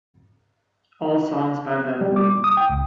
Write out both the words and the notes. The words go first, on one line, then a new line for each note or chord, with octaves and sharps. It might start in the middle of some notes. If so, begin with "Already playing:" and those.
All songs by Baboon.
G3
D6
D#6
G5
C#2